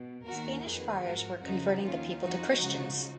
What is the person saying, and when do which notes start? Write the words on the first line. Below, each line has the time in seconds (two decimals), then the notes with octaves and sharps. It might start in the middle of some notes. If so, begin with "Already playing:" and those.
Spanish friars were converting the people to Christians.
Already playing: B2
0.24 D#2 D#3 F#4 A#4
0.65 F2 D#3 G#4 B4
1.04 G#1 G#2 F3 F#4 A#4
1.43 F2 C#3 F3 D#4 F#4
1.82 D#2 D#3 C#4 F4
2.21 F2 F3 D#4 F#4
2.61 C#2 C#3 F3